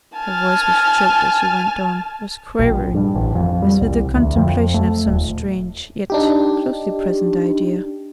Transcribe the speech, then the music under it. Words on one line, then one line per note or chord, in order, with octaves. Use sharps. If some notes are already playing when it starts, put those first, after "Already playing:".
Her voice was choked as she went on--was quavering as with the contemplation of some strange, yet closely-present idea.
G#5 A5 F6
A#1
G2
A1
F2
G3
C2
D2
F2
A3
D#1
D4 D#4 G4